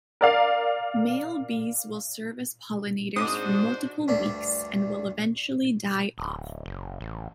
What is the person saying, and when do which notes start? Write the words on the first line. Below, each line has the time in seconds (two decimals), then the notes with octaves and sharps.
Male bees will serve as pollinators for multiple weeks and will eventually die off.
0.21 A#4 D5 F5
3.16 G#2 C4 D4 F#4 G#4 C5 D6 D#6
4.08 D2 G2 D4
6.18 D1
6.66 F#1
7.01 A1